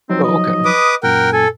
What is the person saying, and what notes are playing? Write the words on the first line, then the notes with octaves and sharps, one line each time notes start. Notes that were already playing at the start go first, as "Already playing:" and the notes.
Oh, okay.
F3 F#3 C4 D#4
D#5
B4 D6 D#6
F#2 A#2 A#4 F#5 G5
A4 G#5